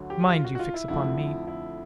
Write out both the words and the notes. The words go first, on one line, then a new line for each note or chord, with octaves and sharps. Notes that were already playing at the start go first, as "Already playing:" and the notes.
Mind you fix upon me!
Already playing: D2 D3 F#3
G4
F4
F#4
F#4
F4
E4
F2 D3 F3 A3 E4
E4